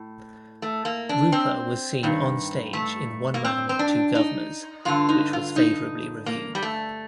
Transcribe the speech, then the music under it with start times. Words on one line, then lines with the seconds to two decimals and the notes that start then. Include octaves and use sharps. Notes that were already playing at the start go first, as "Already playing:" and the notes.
Rooper was seen on-stage in "One Man, Two Guvnors", which was favourably reviewed.
Already playing: A2
0.62 A3
0.85 A#3
1.09 D4
1.32 C4
2.03 G2 D#3
2.73 A3
3.34 A#3
3.45 C4
3.69 C4
3.79 D4
4.15 D#4
4.85 G2 D3 F4
5.09 D#4
5.33 F4
5.56 D#4
6.26 A#3
6.55 G3
6.62 A3